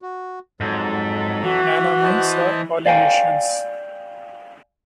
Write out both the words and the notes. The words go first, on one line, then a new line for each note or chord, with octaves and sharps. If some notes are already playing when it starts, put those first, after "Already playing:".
Nanumeans are Polynesians.
F#4
F2 G#2 F#3 A4
E3 F#4
C5 D#5 A5
D5 F5 G5 G#5